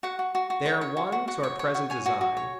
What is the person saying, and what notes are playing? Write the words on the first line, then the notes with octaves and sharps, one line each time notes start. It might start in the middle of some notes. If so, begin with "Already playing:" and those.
They are one to our present design.
F#4 F#5
F#4
F#4
F#4
C#5
C#5
F#4
F#4
F#4 F#5
C#5
C#5
F#4
C#5 G#5
F#4
F#4
C#5